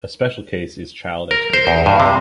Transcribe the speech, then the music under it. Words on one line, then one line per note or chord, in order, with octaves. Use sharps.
A special case is child exploitation.
A#4
C5
E2
G2
C3